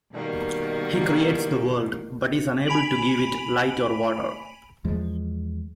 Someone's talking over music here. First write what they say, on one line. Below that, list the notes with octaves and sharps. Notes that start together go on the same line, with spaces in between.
He creates the world but is unable to give it light or water.
B2 D#3 G3 A#3
G#5 B5 B6 D7 F7 F#7
E2 F3 G#3